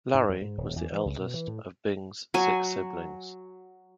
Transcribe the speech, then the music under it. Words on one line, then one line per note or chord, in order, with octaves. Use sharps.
Larry was the eldest of Bing's six siblings.
G#2
F2
G#2
D#1
E2
E3
C#2
B2
E3
A2
F#3 G#5